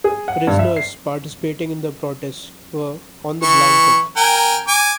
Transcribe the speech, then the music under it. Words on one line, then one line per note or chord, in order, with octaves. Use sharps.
Prisoners participating in the protest were "on the blanket".
G#4
F#5
G2
E5
C7
E3 C#6
A#4 G5 G#5
G#5 D6